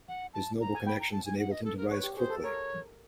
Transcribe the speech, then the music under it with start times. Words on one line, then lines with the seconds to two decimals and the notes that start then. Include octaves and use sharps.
His noble connections enabled him to rise quickly.
0.08 F#5
0.34 A5
0.61 A#5
0.75 G#5
0.86 G5 B5
1.00 A#5
1.12 A5
1.25 G#5
1.39 F#5
1.51 D#5
1.65 A4
1.78 A#4
1.91 B4 C#5
2.03 G4
2.17 G#4 C5
2.30 A4
2.43 A#4 C#5